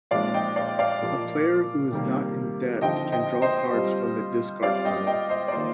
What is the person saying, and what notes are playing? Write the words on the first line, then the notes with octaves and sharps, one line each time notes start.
A player who is not In Debt can draw cards from the discard pile.
A#2 F3 G#3 C4 D#4 D5 F5
D#5 G5
D5 F5
D5 F5
A#2 F3 A#3 F4
C3 D#3 G3 A#3
D3 F3 C4 D#4 D#5 G5
D#5 G5
C5 D#5
G3 C4 F4
G3 C4 F4 D5 F5
D#5 G5
D#5 G5
C5 D#5
D5
D#3 A#3 F4 C5 D#5